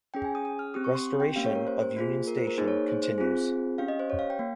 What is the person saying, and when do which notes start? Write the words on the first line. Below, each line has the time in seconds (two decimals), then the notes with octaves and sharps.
Restoration of Union Station continues.
0.14 C#4 G#4 G5
0.24 G#5
0.35 D#6
0.45 D#6
0.59 F6
0.74 C4 G4 D#6
0.84 C#6
0.95 C6
1.20 G5
1.36 A#3 C#4 G4 F5
1.46 C#5
1.55 A#4
1.67 C5
1.82 C5
1.96 A#3 F4 G#4
2.27 A#4
2.37 C5
2.47 A#4
2.57 A#3 D#4 G#4 C5
2.68 C#5
2.88 C5
3.03 C5
3.18 C4 F4 G#4
3.78 C#4 G4 F5
3.88 D#5
3.99 C5
4.10 C#5
4.19 F5
4.30 G5
4.39 A#3